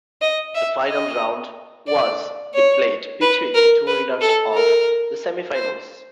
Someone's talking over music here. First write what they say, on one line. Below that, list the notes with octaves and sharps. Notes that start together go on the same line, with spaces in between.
The final round was be played between the two winners of the semifinals.
D#5
E5
D#5
D5
C#5
B4
A#4
B4
A4
A#4
C5